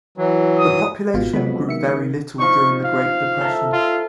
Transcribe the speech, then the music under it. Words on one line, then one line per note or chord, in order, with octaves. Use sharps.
The population grew very little during the Great Depression.
E3 F#3
D#6
G#1 B2 F4
F2 F#3 G#3 B3 B5
D#3 E5 C#7
F3 D#4 C#6
F5
A4 E5 A#5
F4